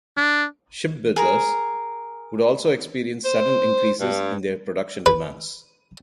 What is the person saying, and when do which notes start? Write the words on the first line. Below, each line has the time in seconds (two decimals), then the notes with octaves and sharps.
Ship builders would also experience sudden increases in their production demands.
0.17 D4
1.16 G#4 A#4 A#5
3.24 C5
3.99 G2
5.06 B4